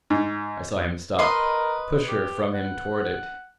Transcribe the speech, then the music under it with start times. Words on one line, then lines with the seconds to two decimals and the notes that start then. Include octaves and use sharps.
I saw him stop, push her from him toward it.
0.10 G#2
1.19 A#4 B4 D#5 C6
2.08 G4
2.54 F#5